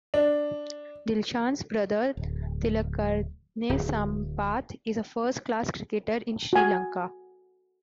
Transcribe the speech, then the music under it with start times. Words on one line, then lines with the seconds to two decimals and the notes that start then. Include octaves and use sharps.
Dilshan's brother, Tillakaratne Sampath, is a first-class cricketer in Sri Lanka.
0.14 D4
2.17 D1
3.69 D1
6.53 F#4 G#5